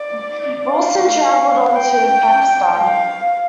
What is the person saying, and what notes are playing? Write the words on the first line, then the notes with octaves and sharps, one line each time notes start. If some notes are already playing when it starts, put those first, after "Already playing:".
Wilson travelled on to Pakistan.
Already playing: D5
F5
G5
F5